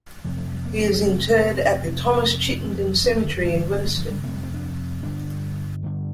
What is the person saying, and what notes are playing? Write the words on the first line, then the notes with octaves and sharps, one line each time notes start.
He is interred at the Thomas Chittenden Cemetery in Williston.
F2 C3 F3
F3
G3
A#3
F2 C3
A#3
C4
D4
C4
F2 C3
F2 C3 C4
C4
D3
G2 D3 F3
F3
C4
A#3
F3
G3
F2 C3 A#3
G3
C4
D4
G2 D3 D4
G2 D3